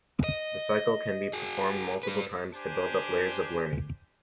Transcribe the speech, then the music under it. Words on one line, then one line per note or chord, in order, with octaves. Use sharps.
The cycle can be performed multiple times to build up layers of learning.
D#5
F#4 G#4
G3 B4
D4 G4 C5 G#5